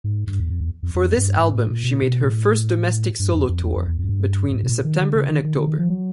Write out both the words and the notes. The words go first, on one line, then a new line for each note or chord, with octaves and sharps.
For this album she made her first domestic solo tour between September and October.
G#2
G2
E2
F2
E2
F2
F2
G2
G#2
A2
A#2
B2
A#2
B2
A#2
A2
G2
F2
F2
E2
F2
E2
F2
F#2
G2
G2
G#2
B2
A#2
D#3
D3
C#3
D#3
D#3
D3
D#3
F3
F#3